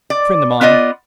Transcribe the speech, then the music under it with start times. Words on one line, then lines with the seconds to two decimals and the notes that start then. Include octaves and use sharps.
Friend of mine.
0.10 D5
0.61 B3 F4 D5 D#5